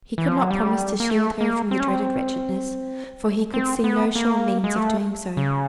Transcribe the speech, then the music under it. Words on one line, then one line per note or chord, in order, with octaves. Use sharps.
He could not promise to shield her from the dreaded wretchedness, for he could see no sure means of doing so.
E3
F3
F#3
G3
A#3
A3
A#3
C4
C#4
C4
C4
B3
A#3
G#3
A3
C#3